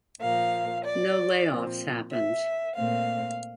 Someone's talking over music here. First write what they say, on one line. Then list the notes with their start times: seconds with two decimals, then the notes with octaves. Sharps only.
No layoffs happened.
0.20 A#2 F3 A#3 F5
0.83 D5
1.47 A#2 F3 C4
2.10 E5
2.74 A#2 A3 C4 F5